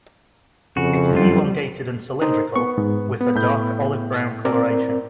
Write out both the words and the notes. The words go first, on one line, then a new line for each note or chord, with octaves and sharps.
It is elongated and cylindrical, with a dark olive-brown coloration.
F2 C#3 F#4
F#2 D3 G3 F4
D#4 A#4 C5
B3 C#6
G#2
B3
A2 B5 G6
C4 A#4 D5